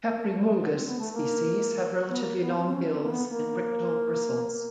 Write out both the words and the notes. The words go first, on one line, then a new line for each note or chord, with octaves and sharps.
"Caprimulgus" species have relatively long bills and rictal bristles.
A#3
A#3
A3
G#3
F#3
C4
B3
A3
A#3
B3
A#3
B3
C4
C4
C#4
C4
A#3
B3
A#3